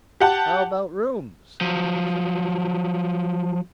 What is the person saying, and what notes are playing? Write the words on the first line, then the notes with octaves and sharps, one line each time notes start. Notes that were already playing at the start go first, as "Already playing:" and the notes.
"How about rooms?" asked Uncle John.
G4 F#5 A5
F3 F#3